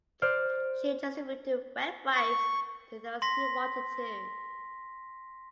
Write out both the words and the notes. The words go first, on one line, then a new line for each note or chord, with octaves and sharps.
She distributed wet wipes to those who wanted to.
C5 D5 F6
C#6
C6 A#6 B6